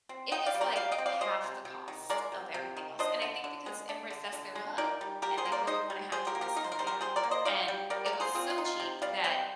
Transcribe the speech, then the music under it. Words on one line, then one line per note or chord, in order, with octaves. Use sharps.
it is, like, half the cost of everything else, and I think because Emirates that's their hub, and they really wanna have tourists come there, and it was so cheap that
C4
D#4 D#5 G5
D5 F5
G3
A#4 D5
G3 D5 F5
D#5 G5
C4
D5 F5
G#3 C5 D#5
C3
C3
D#3
G#3 A#4 D5
C3
C3
D#3
D4 C5 D#5
D3
D3
G#3
D4
D3
D3
G#3
D#4 A#4 D5
G3
G3 G4 A#4
G#4 C5
A#3
A#4 D5
D#4 C5 D#5
G3
G3 G#4 C5
G4 A#4
A#3
G4 A#4
D#4 A#4
C5
A#4
G3 C5
G4 A#4
G3 G#4 C5
A#4 D5
A#3
C5 D#5
D#4 D5 F5
G3
G3 A#4 D5
A#4 D5
A#3
G#4 C5
C4 F4 G#4
F4
D#4
F4
C3
G3 D5 F5
C4 D#5 G5